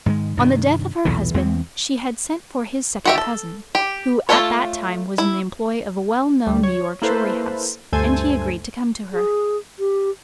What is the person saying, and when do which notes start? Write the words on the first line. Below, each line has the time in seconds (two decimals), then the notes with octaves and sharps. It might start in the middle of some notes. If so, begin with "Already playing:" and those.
On the death of her husband, she had sent for his second cousin, who at that time was in the employ of a well-known New York jewelry house, and he agreed to come to her.
0.06 G#2 D#3 F3 G#3
0.37 G2 C3 D#3
1.05 B1 E2 A#2 E3
1.34 E2 E3 G#3 C4
3.05 F#4 G4 E5
3.18 A4
3.75 G4
4.29 A3 E4 F4 A4 C#5
5.18 E4
6.47 D2 G3
6.63 C#5
7.02 A#3 E4 A4 B4 C5
7.92 D2 G2 A3 A4 C5 G#5
9.13 G#4
9.79 G4